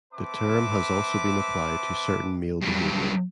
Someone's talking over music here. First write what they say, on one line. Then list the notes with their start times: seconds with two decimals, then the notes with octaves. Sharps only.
The term has also been applied to certain male behavior.
0.13 C4 B4 E5 A5 D6
2.62 G2 F#3